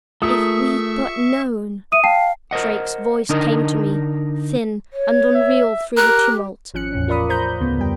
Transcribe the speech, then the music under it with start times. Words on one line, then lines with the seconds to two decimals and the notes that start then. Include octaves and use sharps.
"If we'd but known!" Drake's voice came to me, thin and unreal through the tumult.
0.22 A3 F4 G#4 A#4 E5 C#6 D#6
1.92 E5 D#6 D#7
2.04 F5 G5 A5 C7
2.51 A#4 C5 D#5 F#5
3.29 D3 D4 D#4 A#4 D#5
4.92 C#5
5.35 E5
5.97 G4 A#4 F#6
6.74 G#1 F3 C#4 F#6 C#7
6.93 E2 A2 C#4
7.08 F4 A#4 D5 B5 D#6
7.29 C5 A#5 B5 G6
7.60 D2 C#3 B3
7.78 F2 G3 G5